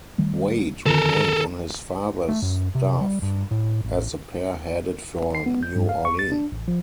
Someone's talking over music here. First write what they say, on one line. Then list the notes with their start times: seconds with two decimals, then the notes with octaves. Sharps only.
Wade remained on his father's staff as the pair headed for New Orleans.
0.18 D#3 G3 A3
0.86 D3 D#3 A4 A#4
2.28 A3
2.42 F#2
2.75 C3
3.01 G3
3.22 G2
3.51 A2
3.84 A1
5.35 C7
5.46 B3
5.63 G6
5.76 G2
5.89 F5
6.05 C#6
6.19 A6
6.32 D4
6.52 A1
6.68 F3